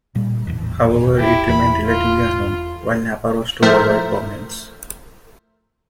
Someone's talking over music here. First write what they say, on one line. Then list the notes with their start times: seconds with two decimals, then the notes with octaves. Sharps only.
However, it remained relatively unknown, while Napa rose to worldwide prominence.
0.15 A#2 G3
0.47 D#1 A1 E2
1.16 E4 G4
1.49 E2 B5
1.86 F4
3.62 A2 F3 A3 A#4 C5 E5